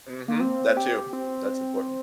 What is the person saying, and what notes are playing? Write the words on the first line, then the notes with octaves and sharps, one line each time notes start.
Mhm. That too. That's important.
A#3
C4
G4
C4